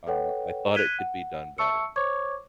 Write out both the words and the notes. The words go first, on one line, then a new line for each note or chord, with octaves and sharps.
Uh, I thought it could be done better.
A4 B4 C#5 F#5 G5
F#6 G#6 B6 D#7 G7
F#5
E5 A5 C#6 E6 C#7
C5 C#5 C#6 D6 G#6